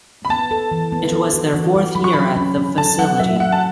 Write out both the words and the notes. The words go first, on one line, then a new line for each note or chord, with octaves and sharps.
It was their fourth year at the facility.
B5
B3 A5
A4
E3
B3
A4
F#4
E3
F#4
F#3 B5
C#6
F#3 B5
C#4
C#4
A4 A5
F#3 F#5
F#3 E5
E5
F#3 F#5
A5